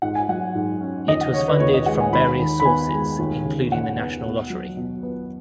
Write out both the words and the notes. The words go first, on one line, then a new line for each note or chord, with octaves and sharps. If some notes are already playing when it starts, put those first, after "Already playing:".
It was funded from various sources including the National Lottery.
G#2 F#5
G#5
F#3 F#5
G#2
C#4
D#2 D#5
F#5
C#3 C#5
B4
D#2 C#5
D#5
G#3 F#5
G#5
D#2 B5
D#3
B5
B3 G#5
G#3
D#2
C#3
D#2 F#5
B3
B2
F#3
B2
B3